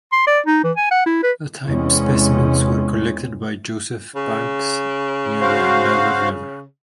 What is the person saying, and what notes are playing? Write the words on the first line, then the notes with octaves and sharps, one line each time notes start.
The type specimens were collected by Joseph Banks near the Endeavour River.
C6
D5
D#4
E3
G#5
F#5
E4
B4
E2 C3 G#3 C#4
C#3
F#4 C5 F5